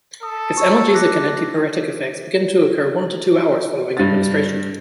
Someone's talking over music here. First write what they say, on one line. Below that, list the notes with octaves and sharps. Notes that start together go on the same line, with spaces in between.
Its analgesic and antipyretic effects begin to occur one to two hours following administration.
A4 D#6
C#6 E6
D6 F#6 A#6
G2 A6